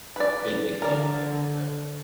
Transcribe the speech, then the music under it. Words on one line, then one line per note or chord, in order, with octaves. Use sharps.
big big fan of him and, uh,
B4 D5
D3 A#4 D5